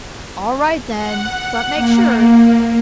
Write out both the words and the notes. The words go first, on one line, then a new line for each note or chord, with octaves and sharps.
"All right, then, but make sure."
F#5
A#3